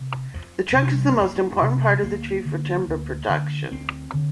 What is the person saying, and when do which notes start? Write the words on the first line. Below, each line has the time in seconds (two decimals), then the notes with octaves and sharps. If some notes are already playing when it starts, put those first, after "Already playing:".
The trunk is the most important part of the tree for timber production.
Already playing: C3
0.34 F2 F3
0.76 C3
0.90 G3
1.18 F2 A#3
1.61 C3
2.03 D2 A#3
2.45 D3
2.87 D2
3.29 D3
3.71 D2 C4
4.13 D3